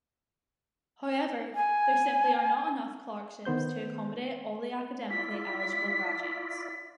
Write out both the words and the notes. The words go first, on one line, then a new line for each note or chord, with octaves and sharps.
However, there simply are not enough clerkships to accommodate all the academically eligible graduates.
G#5
D#3 B3 C5 G6
E4 F4 D5 B6